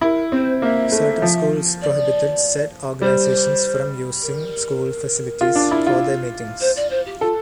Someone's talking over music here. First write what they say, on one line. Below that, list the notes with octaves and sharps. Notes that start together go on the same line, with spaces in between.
Certain schools prohibited said organizations from using school facilities for their meetings.
E4 A#4
C4 C5
A#3 E5
A3
F3
D5
G3 C5
A#4
F4
D4
E4
F4
C5
D5
C5
G4
F4 A4